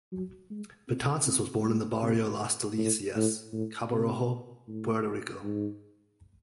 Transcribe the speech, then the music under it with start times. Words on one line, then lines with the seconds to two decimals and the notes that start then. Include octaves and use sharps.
Betances was born in the "Barrio" Las Delicias, Cabo Rojo, Puerto Rico.
0.12 F#3
0.50 G#3
0.88 C4
1.26 C4
1.64 G#3
2.02 C3
2.78 A2
3.16 A2
3.53 A2
3.92 C3
4.67 A2
5.43 G#2